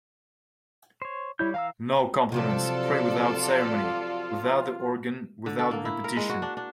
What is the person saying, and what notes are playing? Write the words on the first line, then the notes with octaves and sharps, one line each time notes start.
No compliments, pray without ceremony, without the organ, without repetition.
C5 C#5
G3 E4 C#5 G6
E3 F5 A#5 E6
C3 F3 F#3 F4 F#4 A4 D5
D3
A4
A#3
E4
A#4
G#3
F#4
D4
D4